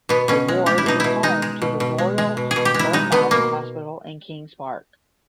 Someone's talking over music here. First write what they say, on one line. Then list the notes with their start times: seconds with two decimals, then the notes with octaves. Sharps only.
The ward is home to the Royal Bournemouth Hospital and Kings Park.
0.09 B2 B3
0.28 B2 C#4
0.48 G#3
0.66 G#3 G4
0.78 E4
0.86 B2 D#4
1.00 B2 E4
1.23 G#3 D#4
1.42 G#3
1.62 B2
1.80 B2
1.98 G#3
2.18 G#3
2.37 B2
2.51 G#4
2.56 B2
2.65 G4
2.74 G#3 E4
2.93 G#3 D#4
3.12 B2 B3
3.31 B2 A#3